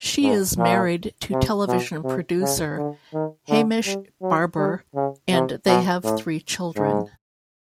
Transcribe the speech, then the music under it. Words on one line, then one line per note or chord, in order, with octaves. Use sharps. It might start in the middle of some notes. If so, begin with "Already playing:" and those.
She is married to television producer Hamish Barbour and they have three children.
G#2
A#2
C3
B2
C3
C#3
D3
D#3
D3
G3
F#3
G3
C#3
C3
B2
A2
G#2